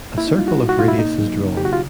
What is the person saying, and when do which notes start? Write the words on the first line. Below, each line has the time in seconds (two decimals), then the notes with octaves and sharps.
A circle of radius is drawn.
0.18 A#3 E4
0.28 D#4
0.38 G3 F4
0.48 F#4
0.58 B2
0.69 F#4
0.79 B2 F4
0.88 E4
0.99 A#3 D#4
1.19 F#3
1.40 C#3
1.57 C#3 G4
1.65 F#4
1.73 F4